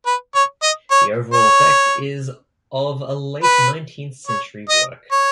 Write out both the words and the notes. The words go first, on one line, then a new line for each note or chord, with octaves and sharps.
The overall effect is of a late-nineteenth-century work.
B4
C#5
D#5
C#5
C#5
B4
C#5
D#5
C#5